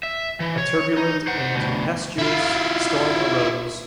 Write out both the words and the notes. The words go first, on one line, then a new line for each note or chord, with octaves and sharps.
A turbulent and tempestuous storm arose.
E5
E3
C#5
D#4
C5 F#5
D2 B2
E4 F4